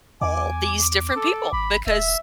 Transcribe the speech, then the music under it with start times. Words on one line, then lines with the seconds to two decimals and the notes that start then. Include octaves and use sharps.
all these different people, because
0.21 E2 G#5 D6
1.16 A4
1.53 G#1 B5
1.87 D#1 E5